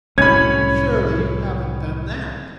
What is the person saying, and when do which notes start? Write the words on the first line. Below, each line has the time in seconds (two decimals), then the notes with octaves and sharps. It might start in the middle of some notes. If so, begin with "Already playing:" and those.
"Surely you haven't done that?"
0.18 C2 A2 F#3 C#4 C#5 B5 G#6